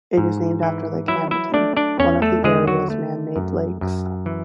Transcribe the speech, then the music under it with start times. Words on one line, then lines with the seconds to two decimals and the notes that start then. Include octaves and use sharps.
It is named after Lake Hamilton, one of the area's man-made lakes.
0.17 G#2
0.63 E3
1.08 F#3 E4 E5
1.31 E4 E5
1.54 A3 D4 D5
1.77 D4 D5
1.99 E2 C#4 C#5
2.22 A3 A4
2.44 D3 G#3 G#4
2.67 F#3 F#4
2.90 A3
3.36 F#2
3.81 F#2
4.26 E3